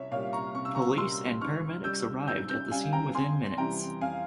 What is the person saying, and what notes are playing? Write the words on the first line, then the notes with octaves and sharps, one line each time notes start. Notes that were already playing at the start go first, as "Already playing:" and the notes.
Police and paramedics arrived at the scene within minutes.
Already playing: C2 C#5 E5
A#2 G3 C#5 F5
A#5 C#6
C2 C#6
E6
A#5 C#6
A#2 G3 C6 E6
G#2 C#6 F6
G3 E6 G6
G#2 E6 G6
E6 G6
G3 F5 G#5
G5 A#5
F2 G#5 C6
C3 E3 G3 G5 A#5
F2 F5 G#5